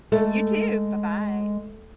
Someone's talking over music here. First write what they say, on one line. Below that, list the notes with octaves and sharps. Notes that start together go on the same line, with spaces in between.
You too. Bye bye.
G#3 A3